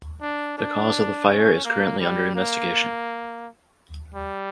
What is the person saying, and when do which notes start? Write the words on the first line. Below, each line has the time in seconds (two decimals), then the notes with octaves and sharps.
The cause of the fire is currently under investigation.
0.21 D4
0.57 D4
1.29 C#4
1.65 A#3
2.00 G3
2.35 A#3
4.14 G3